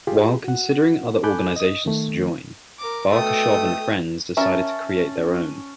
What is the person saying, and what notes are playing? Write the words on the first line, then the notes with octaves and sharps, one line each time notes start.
While considering other organizations to join, Barkashov and friends decided to create their own.
F4 G4 G#4
F#4 F#5
A4 G#5 B5 D6 F#6 G6
D#5 D#6
D#3 A3
A#4 D6
B2 A3 A4 G5 D#6
C#4 A#4 E5 A5